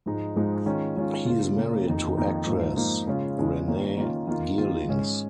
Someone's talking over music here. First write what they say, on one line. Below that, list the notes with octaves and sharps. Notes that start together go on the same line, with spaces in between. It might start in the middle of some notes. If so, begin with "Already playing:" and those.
He is married to actress Renae Geerlings.
G#2 F3 G#3 D#4
G#2 F3 G#3 D#4
D#3 G#3 C#4 F4
D#3 G#3 C#4 F4
C#3 A#3 F4
C#3 A#3 F4
F2 D#3 A#3 D#4
F2 D#3 A#3 D#4
G#2 F3 A#3 D#4
G#2 F3 A#3 D#4
C#3 G#3 C#4 F4
C#3 G#3 C#4 F4
D#3 A#3 C#4 F4
D#3 A#3 C#4 F4
D#3 A#3 F4
D#3 A#3 F4
G#2 G#3 C#4